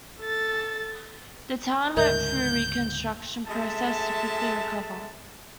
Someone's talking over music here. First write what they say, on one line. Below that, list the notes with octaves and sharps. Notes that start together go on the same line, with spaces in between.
The town went through a reconstruction process to quickly recover.
A4 A6
D2 G#2 C#3 A#4 D#5 E5 G6
F#2 G#3 A3 E5 A5